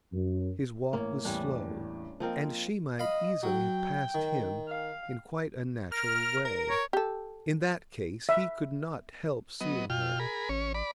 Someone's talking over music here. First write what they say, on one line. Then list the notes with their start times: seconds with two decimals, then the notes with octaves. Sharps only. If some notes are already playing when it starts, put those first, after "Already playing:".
His walk was slow, and she might easily have passed him in quite a natural way; in that case he could not help seeing her.
0.13 F#2
0.93 A1 A#3 C#5
1.25 A1 E2 G3 C#4 D4
2.20 F3 A#3 C4 A#4 D#5 F5
2.99 D#5 F5 B5
3.43 F#3 G5
4.15 D#3
4.68 F5
5.92 A#4 F6
6.45 A#4
6.70 C#5
6.93 G4 A4
8.29 E5
9.61 F#3 B3 D#5
9.90 B2 F4 G5 F6
10.20 G#4 A#4 B5
10.49 A1 C#4 C#5
10.74 D5 B5